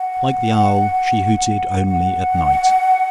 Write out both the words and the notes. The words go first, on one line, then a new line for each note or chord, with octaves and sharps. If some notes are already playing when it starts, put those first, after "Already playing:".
Like the owl, she hooted only at night.
Already playing: F#5
F#5